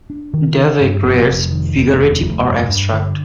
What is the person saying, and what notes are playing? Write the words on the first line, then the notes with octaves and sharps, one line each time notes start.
Davey creates figurative or abstract.
D4
D#3
D4
G2
F1
F1
D#3
F1
D#2
F1
G2
G2
D3